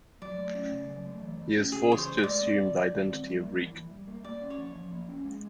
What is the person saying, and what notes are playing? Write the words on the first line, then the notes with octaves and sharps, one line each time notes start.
He is forced to assume the identity of Reek.
F#3 D5
A3
C#4
C#3
F#3
A3
E3
A3
C#4
C#3 G#4
E3 C#5
C5
A3
D#5
G#3 D5
C4
D#3
D#3
G#3
C4
G3
A#3
E3
E3
G3
A#3
A#3 D5
C#4
C#5
F3
F3
A#3
C#4
G#3